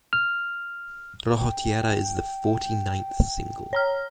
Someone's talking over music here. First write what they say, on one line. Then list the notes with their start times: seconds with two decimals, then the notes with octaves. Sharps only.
Rojo Tierra is the forty ninth single.
0.13 F6
1.37 G5
3.73 C#5 A#5 F6